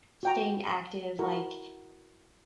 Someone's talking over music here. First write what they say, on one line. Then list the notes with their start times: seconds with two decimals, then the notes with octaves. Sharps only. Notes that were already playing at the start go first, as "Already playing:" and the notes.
staying active, like,
0.23 F#4 G5 A#5
1.19 E4 F#4 A#4